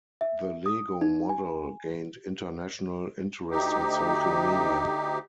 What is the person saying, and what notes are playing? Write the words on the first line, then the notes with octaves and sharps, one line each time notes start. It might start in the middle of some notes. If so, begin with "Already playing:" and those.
The Lego model gained international interest on social media.
E5
D#6
D#4
G#5
D2 D#4 G4